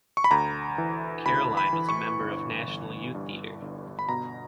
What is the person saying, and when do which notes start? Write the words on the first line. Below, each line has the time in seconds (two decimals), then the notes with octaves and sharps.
Caroline was a member of National Youth Theatre.
0.17 C#6
0.24 B5
0.31 D2 A#5
0.78 E3
1.26 D2 B5
1.57 B5
1.73 E3
1.89 C#6
2.20 G1
2.67 G1
3.15 G2
3.62 G1
3.99 B5
4.09 B2 A#5